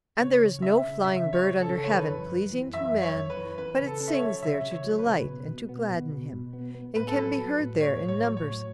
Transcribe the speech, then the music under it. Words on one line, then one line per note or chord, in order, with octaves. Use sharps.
And there is no flying bird under heaven, pleasing to man, but it sings there to delight and to gladden him, and can be heard there in numbers of every kind.
C#3 C#5
C#3
C#4 E5
C#3
C#3 E5
C#4
C#5
C#3
A4
C#3
C#5
E3 B4
F#2
F#2
E3
F#2 E5
F#2
C#5
F#2
B4
E3
C#4 B4
C#3
A4
C#4
E5
C#5
F#3
C#3 E5
C#3
C#5
F#3
B4
C#3
B2
B2
B3
B2
B2
B2
B3
B3
A2 B4
A4
F#3 B4
F#3
A2
A3 C#5
A2
C#5
F#3
C#5
A2